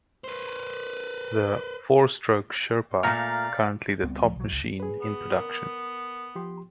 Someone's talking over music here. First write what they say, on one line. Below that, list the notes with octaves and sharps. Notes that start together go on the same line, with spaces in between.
The four-stroke Sherpa is currently the top machine in production.
B4 C5
A#2 A3 D5 F5 A#5 F6
C#2 G3 B3 C4
D1 F3 A3
B1 F#3
F#1 C#2
G#4 B4
B3
A#4
F3 G4 C6